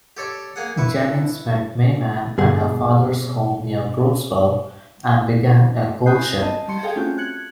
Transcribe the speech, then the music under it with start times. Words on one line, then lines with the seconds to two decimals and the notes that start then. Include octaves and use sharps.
Jennings met May Mann at her father's home near Brooksville, and began a courtship.
0.17 G4 A4 C#5 D5
0.56 A#3 G#4 F#5
0.78 E4 B4 C#6
2.38 G2 B2 D3 G#4 F#5
6.06 G#5 B5 D#6 F#6 G6 C7
6.42 D#5 A5
6.68 G3 C6 C#7
6.83 G#4 A4 F5 G5 G#5
6.96 A3 C4 C#4 F4 F#4 G6
7.18 F#6 G#6 C#7 F#7